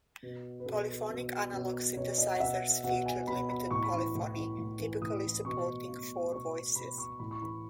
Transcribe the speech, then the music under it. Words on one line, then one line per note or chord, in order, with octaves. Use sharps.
Polyphonic analog synthesizers featured limited polyphony, typically supporting four voices.
B2
B4
B2 A4
B2
B2
B2 C#5
D#5
F#5
B2 E5
B2 F#5
G#5
B2 B5
B5
A2 C#6
B5
E3 C#6
A2
E3
A2
E3
A2 D#6
E3
B2 C#6
B2
B2 C#6
B2 B5
C#6
A2 B5
C#6
E3 B5